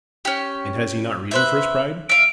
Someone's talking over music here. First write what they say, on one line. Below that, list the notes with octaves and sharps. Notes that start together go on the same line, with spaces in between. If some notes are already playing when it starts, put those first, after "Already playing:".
And has he not reason for his pride?
C#4 G4
B4 C5 E5
E5 F5 D7